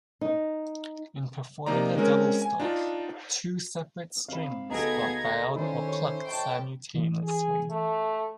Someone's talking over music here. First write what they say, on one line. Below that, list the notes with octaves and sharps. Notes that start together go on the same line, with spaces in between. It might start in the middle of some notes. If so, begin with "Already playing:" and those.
In performing a double stop, two separate strings are bowed or plucked simultaneously.
D#4
C3 A#3 D#4 D5 A#5
G#3 C4 C#4 A#4
G#5
D4 D#4 F4
C4 F5 B5 E7
D2 B3 D#4 G#4 A4 G#6 A#6 D7
A#5
D#3 C#4 D4 E4 C5
C#5
D#5 G5 A5 B5 C#6
E3
G#4
A3